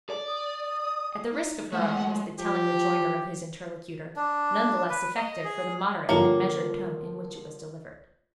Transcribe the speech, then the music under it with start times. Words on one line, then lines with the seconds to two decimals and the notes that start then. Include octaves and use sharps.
At the risk of her own, was the telling rejoinder of his interlocutor, none the less effective for the moderate and measured tone in which it was delivered.
0.10 D5
0.27 D#6
1.31 D#4
1.73 G#3 A3 F#5
2.39 F3 G4
4.16 D4
4.90 B4
5.17 D#5
5.44 G#4
6.09 D3 F3 G3 A#3 F4 C#5 A#5